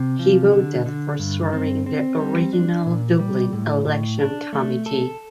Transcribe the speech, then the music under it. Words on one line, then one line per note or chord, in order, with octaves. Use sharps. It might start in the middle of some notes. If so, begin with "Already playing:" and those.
He voted for swearing the original Dublin election committee.
Already playing: C3
F3
D3
D3
G2
C4
C4
G3
D4
A#2
G3
A2
A2
D4
A3
A4